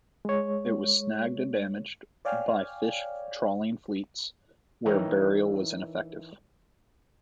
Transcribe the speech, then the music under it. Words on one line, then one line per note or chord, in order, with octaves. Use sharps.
It was snagged and damaged by fish trawling fleets where burial was ineffective.
G#3 C#5
C#5 D5 F5 G5 G#5 F6
E3 D#4 A#4 C#5 G5 A#5